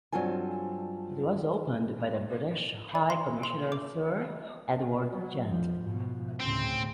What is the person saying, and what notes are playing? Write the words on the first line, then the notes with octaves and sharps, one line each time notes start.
It was opened by the British High Commissioner Sir Edward Gent.
G2 F#3 C4 F4 A4 G#5
D5
C6
C6
D6
F#3
F2 F3
G#2 B2 F3
D2 A2 C#3 C4